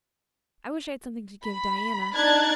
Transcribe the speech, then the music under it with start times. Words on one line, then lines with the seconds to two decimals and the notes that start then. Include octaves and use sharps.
I wish I had something to give Diana.
1.45 B5
2.15 D4 D#4 F#6 G#6 A6